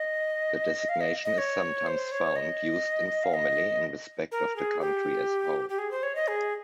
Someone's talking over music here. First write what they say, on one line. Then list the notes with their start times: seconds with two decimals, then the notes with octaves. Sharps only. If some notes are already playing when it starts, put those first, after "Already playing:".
The designation is sometimes found used informally in respect of the county as whole.
Already playing: D#5
0.89 F5
1.01 D#5
1.25 D#5
1.38 C#5
1.87 C5
2.11 C#5
2.36 D#5
3.24 F5
3.34 D#5
4.32 A#4
4.56 G#4
4.81 G4
5.69 G4
5.78 G#4
5.91 C5
6.03 C#5
6.15 D#5
6.28 G#4